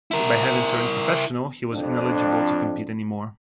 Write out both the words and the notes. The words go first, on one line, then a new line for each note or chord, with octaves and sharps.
By having turned ‘professional’ he was ineligible to compete any more.
E4 A#4
F2 D4